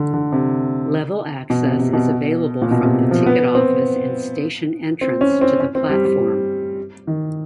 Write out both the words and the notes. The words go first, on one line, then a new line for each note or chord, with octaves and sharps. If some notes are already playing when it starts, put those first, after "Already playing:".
Level access is available from the ticket office and station entrance to the platform.
Already playing: D3
D3
C3
B2
C3
C3
B2
A#2
B2
C3
F3
B3
C4
C4
C#4
C4
C#4
C4
G3
G3
D#3